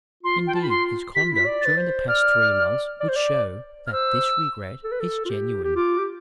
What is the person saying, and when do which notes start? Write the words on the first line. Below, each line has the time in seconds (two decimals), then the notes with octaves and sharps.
Indeed, his conduct during the past three months would show that this regret is genuine.
0.23 F4 C6
0.47 G5
0.55 A5
0.62 B5
0.69 C6
1.15 G4 B6
1.23 F4
1.31 E4
1.35 B6
1.39 F4
1.46 D5
1.61 B4 A6
1.76 C5
2.08 D5 F6
3.00 D5
3.09 C5
3.16 D5
3.87 F6
3.91 C5 E6
4.84 A4
4.92 B4
5.00 A4
5.25 F4
5.30 G4
5.64 G4
5.76 F4 D6
5.99 G4